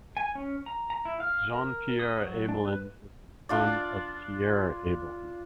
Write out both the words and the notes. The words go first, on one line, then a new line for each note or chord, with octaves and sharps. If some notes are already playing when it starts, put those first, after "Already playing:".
Jean-Pierre Abelin is the son of Pierre Abelin.
G#5
C#4
A#5
A#5
E4
F5
A#4
D#6
F#3
D4
B4
D4 F4 D5